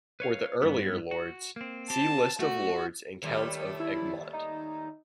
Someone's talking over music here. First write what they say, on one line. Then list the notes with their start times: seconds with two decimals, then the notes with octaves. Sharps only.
For the earlier lords, see List of Lords and Counts of Egmont.
0.20 B4 C#5 F5
0.62 G2 B3
1.11 F#4
1.56 A#3 C4
1.90 C4 G4 A5
2.39 A3 F#4
3.22 D#2 G3 A3
3.80 E4
4.33 D#4